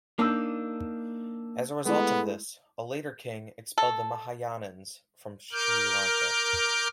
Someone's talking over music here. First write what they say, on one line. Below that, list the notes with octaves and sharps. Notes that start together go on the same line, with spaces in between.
As a result of this, a later king expelled the Mahayanins from Sri Lanka.
A#3 D4 D#4 A5 E6 G6
G#3 A3 B3 E4
A4
A#4 D6 F6 G6